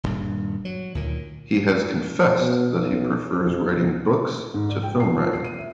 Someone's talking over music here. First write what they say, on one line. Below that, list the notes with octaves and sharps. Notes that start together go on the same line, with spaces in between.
He has confessed that he prefers writing books to film writing.
D#1 G2
F#3
D2 A#2 D#3
B2
B1
F2
G#2
D5
G5
C7
F3
C7
D#7
E5